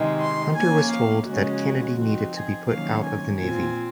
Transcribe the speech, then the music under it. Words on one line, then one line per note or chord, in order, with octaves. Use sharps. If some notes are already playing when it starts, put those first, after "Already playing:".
Hunter was told that Kennedy needed to be put out of the Navy.
Already playing: C3 D#3 G#3
C6
F3 A#3 C#4 G#5
F5
C#3 F3 G#3 C#4 F#4
F3 C4 D#4
G#4
C3 D#3 F#3 A#3 C#4 F5
G#5
A#2 F3 C4 G#5